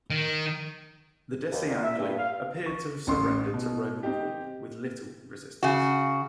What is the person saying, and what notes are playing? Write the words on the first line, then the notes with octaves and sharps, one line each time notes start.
The Deceangli appear to have surrendered to Roman rule with little resistance.
D#3
D#2
A#2
E5
G2
F5
C#6
A1 C#4 C6
B2
C4 D#4 G4
C#3 F#4